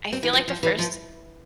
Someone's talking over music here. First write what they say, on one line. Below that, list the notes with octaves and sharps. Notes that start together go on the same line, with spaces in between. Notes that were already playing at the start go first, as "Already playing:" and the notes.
I feel like the first
C4
E3
F3
F3
E3
F3